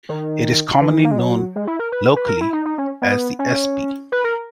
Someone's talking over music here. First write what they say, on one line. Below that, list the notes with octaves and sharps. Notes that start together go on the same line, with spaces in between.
It is commonly known locally as "The Espy".
D#3
E3
A#3
G#3
F#3
G#3
E4
A#4
B4
B4
A#4
E4
D#4
D#4
C#4
B3
C#4
B4
A#4